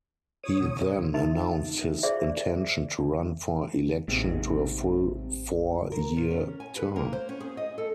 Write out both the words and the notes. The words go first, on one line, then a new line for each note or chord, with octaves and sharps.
He then announced his intention to run for election to a full four-year term.
C#5 D#6
B2 D3
D#4 E5
G#4 C5 D5 E5
A1 G#2 C3
A#4
A#2
C#4
G#5
B4
A#3
C5
C#4
G#4
D#5
A4